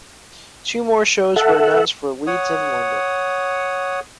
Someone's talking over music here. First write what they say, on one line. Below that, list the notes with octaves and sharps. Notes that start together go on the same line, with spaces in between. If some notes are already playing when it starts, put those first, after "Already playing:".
Two more shows were announced for Leeds and London.
A4 E5 F#5
C#5 F#5 D#6